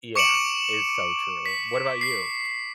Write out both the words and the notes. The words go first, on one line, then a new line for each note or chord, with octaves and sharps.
Yeah, it's so true. What about you?
C#6 D6 C#7 D7 E7 F#7
B6
B6 C7